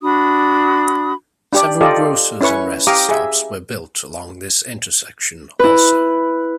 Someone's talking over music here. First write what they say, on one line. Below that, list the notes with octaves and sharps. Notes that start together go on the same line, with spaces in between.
Several grocers and rest stops were built along this intersection, also.
D4 F#4 B5 D#6
D4 G4 D5
F4 G4 A4 D5 D#5
C#4 E4 B4 C#6
G4 F5 A#5 D6 D#6
G#4 E5
E4 B4